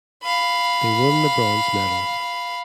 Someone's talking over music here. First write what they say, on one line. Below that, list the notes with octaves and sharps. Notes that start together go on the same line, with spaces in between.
They won the bronze medal.
F5 B5